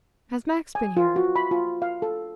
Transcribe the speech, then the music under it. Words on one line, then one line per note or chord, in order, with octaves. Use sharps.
"Has Max been here?"
G#5
F4
F#4
B5
F4
F5
A4